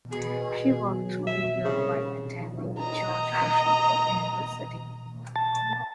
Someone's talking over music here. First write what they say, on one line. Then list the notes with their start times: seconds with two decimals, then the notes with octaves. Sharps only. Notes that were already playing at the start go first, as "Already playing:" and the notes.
She worked through the year while attending George Washington University.
0.12 B2 G#4
0.91 F#3
1.27 E5
1.65 C2 C#3
2.79 D#5 A#5
5.36 A5